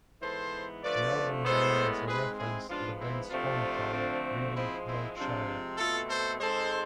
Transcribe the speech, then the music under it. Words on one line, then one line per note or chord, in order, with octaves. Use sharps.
The album name is a reference to the band's hometown, Reading, Berkshire.
G#2 E3 B3 A4 C5
D3 F3 A3 B4 D5
A2 G#3 B3 A4 C5
G#2 G#3 C4 G#4 B4
E4 G#4
G#2 F3 B3 D4 F4
C4 E4
C3 F3 A3 C4 D4 F4
D3 F3 A3 C4
G#2 F3 G#3 C4 E4
C4 E4
C3 F3 G#3 C4 D4 F4
B2 A3 C4 F4 A4
A4 C5
G#2 G#3 C4 A4 C5